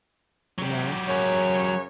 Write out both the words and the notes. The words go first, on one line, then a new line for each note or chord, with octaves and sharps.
you know?
F#3 G4
F#2 C#3 C#5